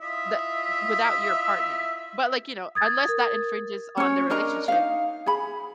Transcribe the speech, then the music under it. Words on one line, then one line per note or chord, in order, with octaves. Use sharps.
that without your partner, but, like, you know, unless that infringes on the relationship.
E4 F4 D#5 E5
D#6 G#6 A6
A#4
C#4 C#5
D4 A#4 D#5 A#5
D#4 F5
G#4 B5